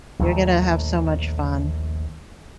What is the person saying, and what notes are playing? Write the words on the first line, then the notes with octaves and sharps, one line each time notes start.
You're gonna have so much fun.
A#1 D#2 A3